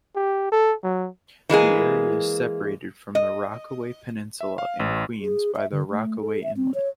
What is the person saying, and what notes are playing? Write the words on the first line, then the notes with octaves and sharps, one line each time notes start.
The area is separated from the Rockaway Peninsula in Queens by the Rockaway Inlet.
G4
A4
F#3
E3 G#3 A#3 G#4
D#5
E5
F5
A1
G#4
E5
D3
A3
A4
E5
C4
C#5